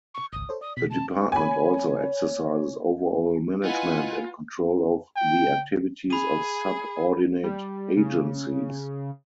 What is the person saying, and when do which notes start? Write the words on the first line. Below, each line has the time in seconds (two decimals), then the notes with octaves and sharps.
The department also exercises overall management and control of the activities of subordinate agencies.
0.14 C#6
0.33 G#1 C#2 D#6
0.49 A4 C5 C#5
0.61 D5 D#6
0.77 B2 B6
0.90 A5
1.32 C#5 G#5 B5
3.64 E4 F4 B4 D#5 F#5 G#5
5.16 G5
6.10 G#4 B5 D#7
7.43 G3
7.97 C#3